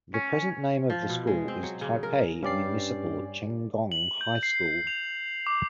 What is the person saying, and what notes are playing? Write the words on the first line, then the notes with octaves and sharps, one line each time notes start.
The present name of the school is Taipei Municipal Chenggong High School.
C#4
F3
B2
G#3
C4
F#3
C#3
A#4
G2 C#4 G4 D5 C7
F#7
G6
C7
F7
D6